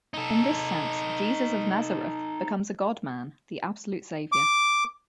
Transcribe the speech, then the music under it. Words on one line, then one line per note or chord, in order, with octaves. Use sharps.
In this sense, Jesus of Nazareth becomes a God-Man, the absolute saviour.
D#4 A4
D6